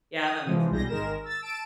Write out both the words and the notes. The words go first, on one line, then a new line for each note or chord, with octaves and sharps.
Yeah, that makes sense.
D#6
C3 E3 F3 G#3
B1 G3 G#4 G6 A#6
G#1 D#3 G#3 A#4 A#6 E7
E6 A6
A5 D7 E7